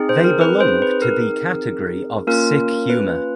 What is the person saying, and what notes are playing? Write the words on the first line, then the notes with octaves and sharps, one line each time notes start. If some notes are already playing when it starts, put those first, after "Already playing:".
They belong to the category of sick humor.
Already playing: C4 D#4 G#4
C5
A#4
B4
C5
B4
A#4
A#3 C#4 F4 A#4
B4